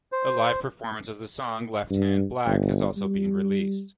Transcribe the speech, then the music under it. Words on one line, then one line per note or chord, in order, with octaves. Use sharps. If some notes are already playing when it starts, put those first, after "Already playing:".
A live performance of the song "Left Hand Black" has also been released.
C5
G2
G1
G3